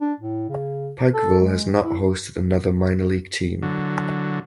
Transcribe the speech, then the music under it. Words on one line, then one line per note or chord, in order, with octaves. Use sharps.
Pikeville has not hosted another minor league team.
D4
A2
C#3
A4
G#3
E4
D3 F#3